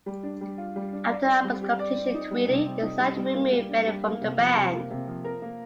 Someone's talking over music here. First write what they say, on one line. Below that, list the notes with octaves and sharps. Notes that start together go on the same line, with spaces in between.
After the album's completion, Tweedy decided to remove Bennett from the band.
G3
D4
G3
F4
G3
D4
D5
C4
G3
G4
D5
C4
D#4
G3
C3
C4
D#4
G3
G3
A#3
G3
D4
G3
A#3
C3
F3
C3
A#3
C3
F3
A#4
A#3